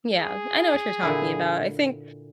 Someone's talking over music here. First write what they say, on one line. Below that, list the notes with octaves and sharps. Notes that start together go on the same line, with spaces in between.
Yeah, I know what you're talking about, I think
G#4
A#2 D3 E4